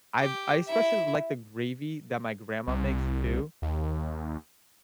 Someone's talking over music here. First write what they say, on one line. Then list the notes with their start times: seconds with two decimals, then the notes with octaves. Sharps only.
I've I especially like the gravy that my grandma makes too.
0.19 G4
0.67 E4 E5
2.67 C2
3.62 D#2